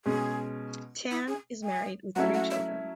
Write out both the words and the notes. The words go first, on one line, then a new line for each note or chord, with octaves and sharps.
Tan is married with three children.
B2 G#3 C#4 G#4
E4
G#4
G#5
F#3 A3 C#4 E4 F#5
F#5
E5